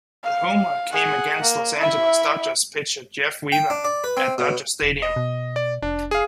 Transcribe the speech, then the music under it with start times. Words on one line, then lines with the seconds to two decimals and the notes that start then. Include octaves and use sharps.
The homer came against Los Angeles Dodgers pitcher Jeff Weaver, at Dodger Stadium.
0.23 F5
0.92 G#4 F#5
1.42 A#3
1.79 E4 E5
3.52 G5
3.70 D4
3.85 D5
4.04 B4
4.17 C4
4.38 B2
4.82 E1
5.02 D#5
5.16 B2
5.56 D5
5.82 F1 D4
6.11 G#4 F5